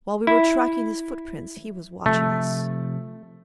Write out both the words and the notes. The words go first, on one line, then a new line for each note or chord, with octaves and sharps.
While we were tracking his footprints he was watching us.
E4
C3 F3 A3